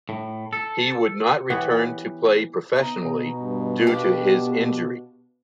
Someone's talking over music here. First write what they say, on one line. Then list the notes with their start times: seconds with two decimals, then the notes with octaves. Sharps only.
He would not return to play professionally due to his injury.
0.09 A2
0.53 A4
1.50 E3 B3 G4 C#5
2.76 B3 D#4 A#5
3.06 B2
3.39 G2
3.87 B3 D4 G4 F5